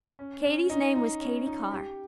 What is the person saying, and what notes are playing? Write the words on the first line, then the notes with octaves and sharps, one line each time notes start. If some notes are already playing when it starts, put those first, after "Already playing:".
Katy's name was Katy Carr.
C#4
C#4
D#4
D#4
C#4
D#4
G4